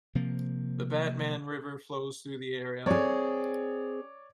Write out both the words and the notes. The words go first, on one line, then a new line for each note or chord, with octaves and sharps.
The Batman River flows though the area.
C3 F3 A#3
C4 G#4 C#5 D5